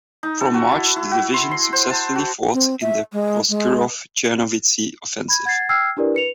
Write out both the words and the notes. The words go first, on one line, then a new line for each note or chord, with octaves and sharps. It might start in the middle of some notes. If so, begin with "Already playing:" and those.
From March the division successfully fought in the Proskurov–Chernovitsy Offensive.
D#4
A4
F#4
E4
E4
F#4
C6
C6
C5
A5
F#4
C4
E5
G#3
G#3
B5 G#6
F#5 G#6 A6 C7
G5 E6 F6 G#6 C7
D4 E4 G4 A#4 B4 D5
B4 C#7 F7